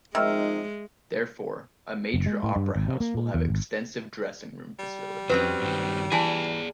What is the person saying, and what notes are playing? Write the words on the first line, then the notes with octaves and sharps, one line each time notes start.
Therefore, a major opera house will have extensive dressing room facilities.
D#3 F3 G#3 C4 D#4 E5 E6 F6
F#1
G#3
A2
G2
G#1
C3
A#3
A#2
E2
G#1
G3
F2 F#3 C4 C#4 B4
G2 D#3
E3 G#4 D5 F5 G#5 A5